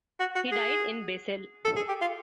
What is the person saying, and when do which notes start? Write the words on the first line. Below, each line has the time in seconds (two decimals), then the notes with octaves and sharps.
He died in Basel.
0.19 F#4
0.35 F#4
0.51 G#4
1.64 A4
1.76 G#4
1.88 G4
2.01 F4